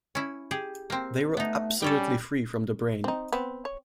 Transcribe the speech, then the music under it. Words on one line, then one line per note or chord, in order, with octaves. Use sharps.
They were absolutely free from brain.
C#4 E4
G4 G#4
A#3 C4
A3 B3 D#4
G3 C#4 A4 C#5 G5
C4 D#4
B3 C4
C#5